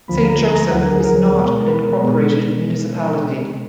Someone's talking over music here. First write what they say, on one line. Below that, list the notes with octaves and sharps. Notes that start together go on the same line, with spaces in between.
Saint Joseph is not an incorporated municipality.
D2 D3 F3 A#3 B5
A#5
A#5
A#5
D2 D3 F#3 F#5
A#4
G#4
A#4
B2 G#3 B3
A#4
B4
B2 G#3 B3